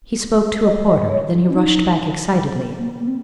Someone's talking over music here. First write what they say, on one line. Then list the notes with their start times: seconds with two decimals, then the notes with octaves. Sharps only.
He spoke to a porter; then he rushed back excitedly.
0.65 D#5
0.87 D#5
1.10 C#5
1.32 F4
1.50 C#4
1.56 D#4
2.78 A#3
3.00 A#3
3.08 C4